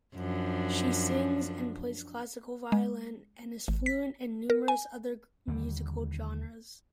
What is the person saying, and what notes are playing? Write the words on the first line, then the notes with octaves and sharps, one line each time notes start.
She sings, and plays classical violin, and is fluent in numerous other musical genres.
F#2 F3 D4
G#3
G#1
B6
A#4
G#5
D#2 D3 E3 G3